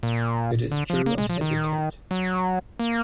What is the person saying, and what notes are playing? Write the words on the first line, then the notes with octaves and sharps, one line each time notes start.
It is true I hesitate.
A#2
D3
F3
A#3
G#3
F3
D#3
F#3
A#3